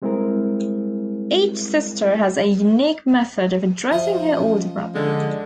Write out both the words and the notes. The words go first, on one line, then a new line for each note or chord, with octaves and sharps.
Each sister has a unique method of addressing her older brother.
G3 G#3 C4 E4 G#4 A#4
F3 C5 D#5 E5
C#4
D3 G#3